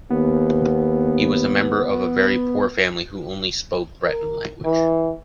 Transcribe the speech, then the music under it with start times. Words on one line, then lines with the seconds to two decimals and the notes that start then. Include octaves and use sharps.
He was a member of a very poor family who only spoke Breton language.
0.10 D#2 B3
4.05 A#4
4.65 E3